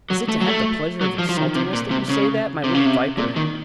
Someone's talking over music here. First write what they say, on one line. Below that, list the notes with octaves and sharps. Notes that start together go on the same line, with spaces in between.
"Is it to have the pleasure of insulting us that you say that, my little viper?"
F#3
A3
F#3
A3
F#3
F3
F3
D#3
C3
A#2
C3
C#3
C3
C#3
C3
A#2
D#3